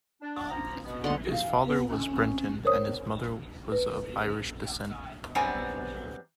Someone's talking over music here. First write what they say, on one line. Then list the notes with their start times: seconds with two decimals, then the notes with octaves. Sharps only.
His father was Breton and his mother was of Irish descent.
0.21 D4
0.51 F3 A#3 A#5
0.84 B2 B3
1.04 D3 F#5 C6
1.32 F5
1.66 B3
1.90 C#4
2.65 A#4 C5 C#5 D#6
3.72 B4
5.35 F#2 G3 B3 C4 D4 G#5